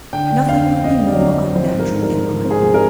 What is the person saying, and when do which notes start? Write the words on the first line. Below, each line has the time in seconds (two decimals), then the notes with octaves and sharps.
Nothing could be more unnatural in either.
0.13 D3 G5
0.31 D3
0.49 F2 F5
0.66 C4
0.84 F2 D#5
1.02 D3
1.08 D5
1.20 F2
1.32 D#5
1.38 C4
1.55 F3 C5
1.73 G#2
1.79 A#4
1.91 G#2
2.03 A#4
2.09 F3
2.27 G#2
2.44 C4
2.51 G#4
2.62 F3
2.74 A#4